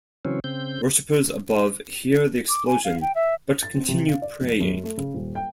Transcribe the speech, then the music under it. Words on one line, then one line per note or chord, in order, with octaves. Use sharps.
Worshipers above hear the explosion but continue praying.
C#3 E3 F#3 C4 C#4
C#3 C4 G6
D6
G#5
F5
G5
E5
A6
C4
C3
F5
D5
F1
F#2
A3
C#3
D#1
G5